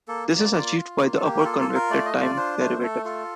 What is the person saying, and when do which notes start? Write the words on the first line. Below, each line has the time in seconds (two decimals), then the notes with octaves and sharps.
This is achieved by the upper convected time derivative.
0.08 A#3 A4
0.31 A#3
0.38 D5
0.53 F4 D5
0.77 F4
0.99 A#3
1.16 A4
1.22 A#3 G4
1.40 A#4
1.44 F4 A4
1.60 A4
1.68 F4
1.75 A#4
1.90 A3 D5
2.06 D#5
2.14 F4
2.22 D5
2.36 D4 C5
2.59 A3 C5
2.83 A3 A4
3.05 F4 A4